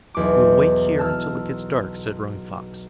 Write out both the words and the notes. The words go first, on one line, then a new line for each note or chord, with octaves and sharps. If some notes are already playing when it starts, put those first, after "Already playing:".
"We will wait here until it gets dark," said Running Fox.
B1 E2 D6
A5 E6 F6